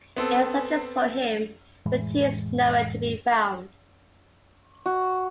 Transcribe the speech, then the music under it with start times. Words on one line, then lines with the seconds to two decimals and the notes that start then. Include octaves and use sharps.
Ann searches for him, but he is nowhere to be found.
0.16 B3 C4 A4
1.86 F1 A2 E3 G#3
4.86 F#4